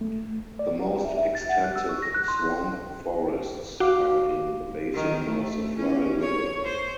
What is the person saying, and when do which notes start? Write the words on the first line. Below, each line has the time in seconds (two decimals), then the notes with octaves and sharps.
The most extensive swamp forests are in the basin of the Fly River.
0.01 A3
0.59 D5
1.04 E5
1.17 E5
1.35 A6
1.49 F#5
1.64 F#6
1.76 E6
1.89 C#6
2.02 A#6
2.14 F#6
2.28 C6
3.80 F#4 F5 D6
4.94 D#3
5.24 A3
5.77 C#4
6.21 C#5
6.64 C5